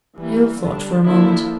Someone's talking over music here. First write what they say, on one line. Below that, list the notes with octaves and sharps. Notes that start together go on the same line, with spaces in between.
Hale thought for a moment.
E3 G3 A#3
D3 G3 D4
D3 F3 A#3 D4 E4